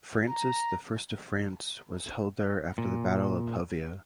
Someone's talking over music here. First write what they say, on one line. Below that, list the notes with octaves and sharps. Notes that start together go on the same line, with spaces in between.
Francis the First of France was held there after the Battle of Pavia.
A#5
A#2